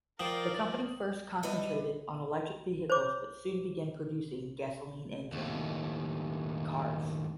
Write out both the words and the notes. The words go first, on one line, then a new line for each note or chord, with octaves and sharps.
The company first concentrated on electric vehicles but soon began producing gasoline-engined cars.
F3 A#4 C5 D5 G5 D6 D#6 F#7
E3 G3 E4 B4 D#5
C5 C#5 D6
D#2 A2